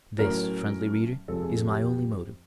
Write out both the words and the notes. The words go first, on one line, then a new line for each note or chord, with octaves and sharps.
This, friendly reader, is my only motive.
A2 F#3 A3 C#4 A#4
F2 C3 F3 G#3 A4
G#4
A4
G4